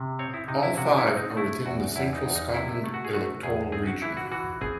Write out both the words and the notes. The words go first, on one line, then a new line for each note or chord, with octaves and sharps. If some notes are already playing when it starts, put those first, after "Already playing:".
All five are within the Central Scotland electoral region.
Already playing: C3
C4 C#5
E4
C3 D#4
E4
C3 F#4
E4
C4
D#4
A3 E4
E2 F#4
E2 E4
D#4
E2
D#4
C3 E4
E4
A3
F#4
G#4
A3 F#4
E2 G#4
C4 G#4
F#4
E3 E4
F#4
E3 F#4
C4 G#4